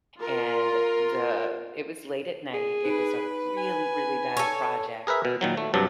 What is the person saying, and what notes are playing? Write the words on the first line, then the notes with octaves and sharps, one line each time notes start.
and the it was late at night, it was a really, really bad project,
F4 A#4
G#4
D#4 B4 D7
G#5
A4 C#5
G#4 A#4 B4 E5
B2
A#2 D#3 F#3
A3
G2 C3 F#3 A4 A5